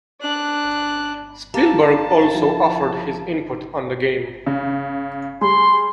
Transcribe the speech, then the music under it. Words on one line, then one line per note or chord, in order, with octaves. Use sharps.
Spielberg also offered his input on the game.
D4 F#6
A#3 G4 A5
F3 E4 F#4
C#3
G3 G#4 C6